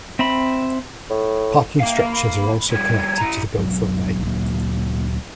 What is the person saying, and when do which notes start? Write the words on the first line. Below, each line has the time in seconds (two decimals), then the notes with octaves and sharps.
Parking structures are also connected to the Gopher Way.
0.19 C4 E5 B5
1.10 A2
1.80 A#3 E5 F5 G5
2.04 B5
2.70 F3 G3 G#6
3.18 E4 A#5
3.57 D1 B1 G#2 F#3
4.26 D2 A#2 F#3 A#3